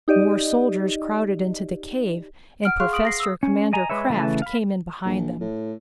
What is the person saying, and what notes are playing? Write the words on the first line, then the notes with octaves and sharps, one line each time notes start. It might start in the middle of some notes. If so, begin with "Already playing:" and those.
More soldiers crowded into the cave, and Professor-Commander Krafft came in behind them.
D#4 G4 D5 D#5
F#5 F6 D7
G#4 F5 C6 C#6 F6 F#6
D#6 D7 F#7
A#6 C7
D#6 E6
C#4
D#5 G#5 A#5
G#3 B4 C#5 E5
C#3 E3 A3 E5 A5
F5 B5
A#1
A2